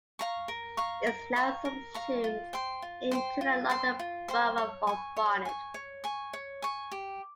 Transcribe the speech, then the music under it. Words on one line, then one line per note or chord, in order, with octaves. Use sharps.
It is now subsumed into the London Borough of Barnet.
F5 A#5 C#6
A#4
F5 A#5 C#6
A#4
F5 A#5 C#6
A#4
F5 A#5 C#6
F4
C5 G5 C6
F4
C5 G5 C6
F4
C5 G5 C6
F4
C5 G5 C6
C#5
G#5 C#6
C#5
G#5 C#6
C#5
G#5 C#6
C#5
G#5 C#6
G4